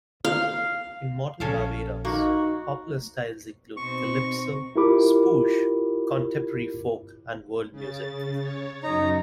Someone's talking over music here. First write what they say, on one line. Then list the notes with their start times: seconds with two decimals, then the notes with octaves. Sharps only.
In modern Barbados, popular styles include calypso, spouge, contemporary folk and world music.
0.25 F5
1.40 A#1 C#4 A4 F5
2.05 A#3 D#4 F#4
3.77 B2 C4 D#4 C#6
4.76 E4 F4 G4 A#4 B5 D6
7.72 C#3 A6
8.40 C#5
8.83 F#2 D#4 A#5